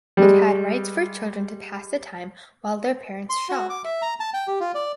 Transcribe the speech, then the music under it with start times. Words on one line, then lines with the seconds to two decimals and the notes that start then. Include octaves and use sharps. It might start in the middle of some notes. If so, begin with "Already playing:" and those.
It had rides for children to pass the time while their parents shopped.
0.17 G3 G#3
3.30 C6
3.49 F#4
3.70 D6
3.85 E5
4.02 A#5
4.20 A5
4.34 G5
4.47 G4
4.60 F4
4.75 D5